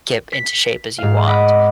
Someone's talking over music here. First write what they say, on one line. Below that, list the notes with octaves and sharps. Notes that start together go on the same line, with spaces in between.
get into shape as you want.
B6
G#2 F5
D#5 F#5 B5 D6